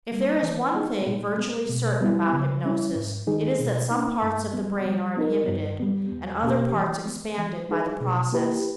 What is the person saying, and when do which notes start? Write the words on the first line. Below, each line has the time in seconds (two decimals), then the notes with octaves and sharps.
If there is one thing virtually certain about hypnosis it is that some parts of the brain are inhibited and other parts expanded by the process.
0.12 G3 A#3
0.42 E3
0.74 G#3 B3 D#4 G#4
1.06 A#2
1.38 G#3 B3
1.69 B2
2.01 G3 B3 E4
2.33 C#3
2.64 G3 C#4 E4
2.95 G#2
3.27 D#3 G#3 D#4 G#4
3.59 B2
3.91 A#3 D#4
4.22 G2
4.53 G3 B3
4.86 G3
5.17 B3 D#4 A#4
5.48 G2
5.80 G3 B3
6.12 E2
6.43 B2 A#3 C#4 G4
6.74 E3
7.06 G#3 B3
7.38 E3
7.69 G#3 D#4 G#4 B4
8.00 B2
8.32 A#3 E4 G4 B4